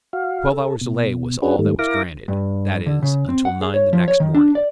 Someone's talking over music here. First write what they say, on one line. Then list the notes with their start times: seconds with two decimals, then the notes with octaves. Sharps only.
Twelve hours' delay was all that was granted--that is, until nine the next morning.
0.13 F#4 F5
0.52 A4
0.81 B2
1.42 C#4 D4 F#4 G#4 B4
1.59 G#2 D#3 G3 A3
1.79 E4 A#4 F5 D6 A#6
2.28 G2
2.86 D3
3.02 C#3
3.29 C4
3.45 F#5
3.62 G#4
3.74 C#5
3.93 F3
4.08 C#5
4.20 D#3
4.35 D4
4.55 D5